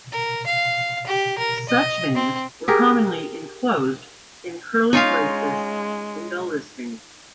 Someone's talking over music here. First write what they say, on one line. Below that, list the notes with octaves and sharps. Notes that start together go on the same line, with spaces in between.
Such names were commonly enclosed in curly braces in the listings.
A#4
F5
G4
A#4
D#5
C4
G4 G#4 A#4
G#3 C#4 D#4 F4 C#5 F5 G#5